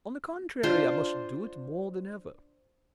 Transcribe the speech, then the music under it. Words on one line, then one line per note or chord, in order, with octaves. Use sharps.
On the contrary, I must do it more than ever.
D4 F4 C5